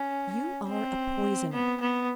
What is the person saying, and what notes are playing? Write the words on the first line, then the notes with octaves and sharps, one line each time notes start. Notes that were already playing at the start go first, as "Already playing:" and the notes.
"You are a poisoner."
Already playing: C#4
C4
B3
B3